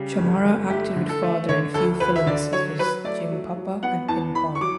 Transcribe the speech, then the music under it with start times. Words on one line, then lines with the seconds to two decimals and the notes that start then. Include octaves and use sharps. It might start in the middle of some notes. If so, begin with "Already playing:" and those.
Chamara acted with father in few films such as "Jim Pappa" and "Pin Pon".
Already playing: C#3 G3
0.18 G1
0.45 G1
0.70 A3 G4
0.96 D3
1.09 A4
1.23 A3
1.49 D3 C#5
1.74 D2 A4
2.00 D2 B4
2.16 E5
2.26 D3 D5
2.52 F#3 C#5
2.79 F#3 B4
3.04 A3 D5
3.31 F#3
3.56 F#3
3.83 B3 F#5
4.08 E2 A5
4.35 E2 B5
4.55 C#6
4.61 F#3 D6